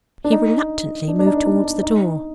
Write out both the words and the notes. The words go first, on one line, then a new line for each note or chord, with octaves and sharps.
He reluctantly moved towards the door.
D4
D#4
D4
D4
D#4
D#4
D4
D4
D#4